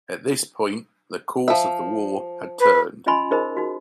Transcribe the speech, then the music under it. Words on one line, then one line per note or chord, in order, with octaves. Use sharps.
At this point, the course of the war had turned.
F3 E5
B4
C#4 F4 D#5 G#5 B5 C6
D#4 G#4 A#4 C5 D#5 B5
D#4 F#4